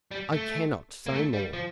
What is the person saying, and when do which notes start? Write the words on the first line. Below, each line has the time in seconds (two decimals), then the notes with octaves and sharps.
I cannot say more.
0.11 G3
0.32 A3
1.07 A#3
1.13 A3
1.33 G3
1.53 F3